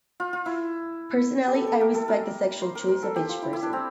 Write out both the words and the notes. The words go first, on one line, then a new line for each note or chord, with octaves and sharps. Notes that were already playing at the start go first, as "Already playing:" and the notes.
Personally, I respect the sexual choice of each person.
F4
F4
E4
G4
A4
A4
A#4
A4
A#4
C5
A#4
A#4
A4
G4
F4
E4
E4
D4
C4